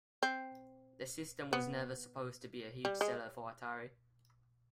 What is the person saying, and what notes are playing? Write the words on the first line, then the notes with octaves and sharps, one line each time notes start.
The system was never supposed to be a huge seller for Atari.
C4
B3
G3
G#3